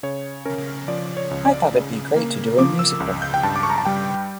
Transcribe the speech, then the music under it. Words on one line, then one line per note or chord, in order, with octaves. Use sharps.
I thought it'd be great to do a musical.
C#3 C#5
C#4 A#4
F3 D5
C#5
C#2
D5
C#3
A#3
F3 D6
E6
C#2
G6
G5
G2 A5
D6
C#6
A#5
A5
G3 G5